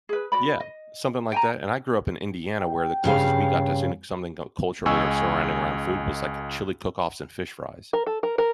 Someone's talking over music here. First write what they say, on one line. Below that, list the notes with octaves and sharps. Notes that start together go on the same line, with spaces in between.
Yeah, something like that, and I grew up in Indiana where the closest we got to seeing something cu culturally or surrounding around food was, like, chili cook-offs and fish fries.
G#4 B4
F#4 D5 B5
D#5
G5 G#5 A#5
G5
G2 C#3 F5
C#2 D#5 G#5 C#6 E6
A#4
A4
A#4
A#4